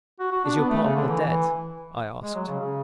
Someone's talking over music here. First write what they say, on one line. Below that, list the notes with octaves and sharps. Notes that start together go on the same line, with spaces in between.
"Is your partner dead?" I asked.
F#4
F#4
D4
B3
A3
C#3
D3
E3
E3
G#3
F#3
C#3
C#3